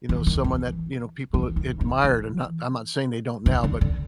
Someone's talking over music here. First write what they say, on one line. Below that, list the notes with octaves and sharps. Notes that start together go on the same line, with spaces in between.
you know, someone that, you know, people ad admired, and not I'm not saying they don't now, but
E3
D#3
E3
E3
D#3
D#3
E3
D#3
D3
D3